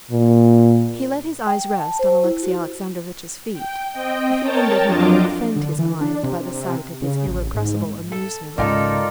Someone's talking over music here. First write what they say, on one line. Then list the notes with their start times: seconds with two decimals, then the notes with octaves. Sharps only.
He let his eyes rest on Alexey Alexandrovitch's feet, feeling that he might offend his client by the sight of his irrepressible amusement.
0.11 A#2
1.47 G5
1.80 A5
1.99 C5
2.12 C5
2.24 E4
2.43 F#4
3.53 G5
3.92 C4 D#5 G5
4.40 A#4 C#5 G5 A5 A#5 A6
4.84 F2 F#3 D4 F4 D#5 D6
5.56 D3
5.79 E3
6.01 D4
6.23 C3
7.02 C#3
7.27 A1
7.54 G#2
8.12 A4
8.58 G#2 C#3 D#4 F4 G4 A4 A#4 D5